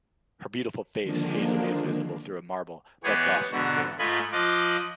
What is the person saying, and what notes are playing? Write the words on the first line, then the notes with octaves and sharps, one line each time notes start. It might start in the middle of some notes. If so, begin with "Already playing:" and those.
Her beautiful face hazily is visible through a marble but gossamer veil.
D3 D#3 F3 G#3 A#3 D4
E3 G#3 B3 G4 G#4 C#5
G#2 B2 D3 F#4
G#2 A3 F4 D#5 G#5 B5
F3 F4 D#5 D6 F#6